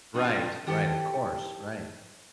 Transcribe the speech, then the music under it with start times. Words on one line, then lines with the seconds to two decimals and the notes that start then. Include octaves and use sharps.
Right, right, of course, right.
0.14 G2 B2 F4
0.67 D#3 G4 A4